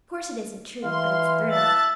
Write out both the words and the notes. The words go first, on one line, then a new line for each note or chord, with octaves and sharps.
"Of course it isn't true, but it's thrilling."
E3 F5 C6
E5 A5 F#6 A6